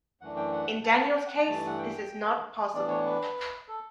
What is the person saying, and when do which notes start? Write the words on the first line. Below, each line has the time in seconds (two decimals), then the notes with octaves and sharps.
In Daniel's case this is not possible.
0.21 F#2 E3 A3 D4 F#5
0.36 G5
0.52 F#5
0.84 A5
1.16 G5
1.26 F#5
1.37 A5
1.47 G2 E3 A3
1.67 F#5
1.79 G5
2.73 A2 E3 B3 D4 D5
2.89 C#5
3.05 B4
3.68 A4